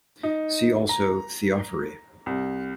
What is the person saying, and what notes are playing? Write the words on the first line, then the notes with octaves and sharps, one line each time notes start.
See also Theophory.
D#4
A#5
C2